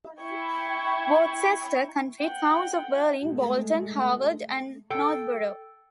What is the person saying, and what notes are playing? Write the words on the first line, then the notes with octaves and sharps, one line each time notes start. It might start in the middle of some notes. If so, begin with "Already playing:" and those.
Worcester County: Towns of Berlin, Bolton, Harvard, and Northboro.
E4 G5 C#6 G#6
F#5 G5
G#3 A3
A4 G5